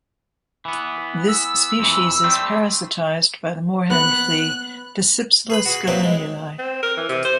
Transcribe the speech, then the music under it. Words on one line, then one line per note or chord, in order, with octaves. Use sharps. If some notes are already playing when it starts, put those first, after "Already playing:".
This species is parasitised by the moorhen flea, "Dasypsyllus gallinulae".
E3 B3
E6
F2 E3
G3 A3 C4
B3 B4 F#6
G#4 B4 B5
F#4 G#4
F#3 A#3 C4 E4 B4
G#3
C4
A#4
E3
C3
C5